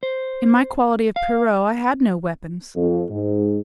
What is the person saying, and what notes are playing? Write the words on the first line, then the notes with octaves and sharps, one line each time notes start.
In my quality of Pierrot I had no weapons.
C5
F5
F2
G#2